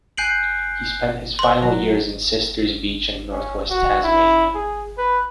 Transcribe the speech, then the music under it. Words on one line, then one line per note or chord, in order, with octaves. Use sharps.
He spent his final years in Sisters Beach in north-west Tasmania.
G#5 F#6 G6 C7 D7 F#7
C5 C6
F#3
C#4
F#4
E4
G#4
B4